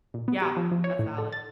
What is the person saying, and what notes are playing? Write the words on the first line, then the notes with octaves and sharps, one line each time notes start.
Yeah, that's valid.
A#2
B3
G4
F3
F3
C#5
A2
A4
A6